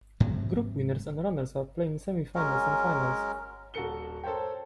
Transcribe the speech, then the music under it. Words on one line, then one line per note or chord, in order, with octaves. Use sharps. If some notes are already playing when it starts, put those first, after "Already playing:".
Group winners and runners-up play in semi-finals and finals.
G#2 C3 E3 F#3
F#3 G#3 C#4 A#4
D#1 F#4 A4 A#4 C#7 G7
A4 A#4 C5 C#5 G5